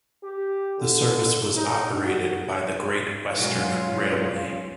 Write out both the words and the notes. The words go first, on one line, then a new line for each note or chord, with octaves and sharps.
The service was operated by the Great Western Railway.
G4
D3
D#4
F#4
B1 G#2 F#3 G3 C#4 F4